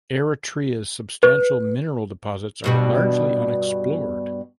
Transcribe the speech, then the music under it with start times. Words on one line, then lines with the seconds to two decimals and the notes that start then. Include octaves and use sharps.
Eritrea's substantial mineral deposits are largely unexplored.
1.23 B4
2.64 G2 B2 G3